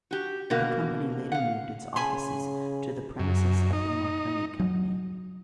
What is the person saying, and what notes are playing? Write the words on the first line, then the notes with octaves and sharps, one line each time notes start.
The company later moved its offices to the premises of the Marconi Company.
F#4 G4
B2 D3 A#3 F#4
F5 F#5
C#3 G#5 B5 C6
F#2
D#4
F#3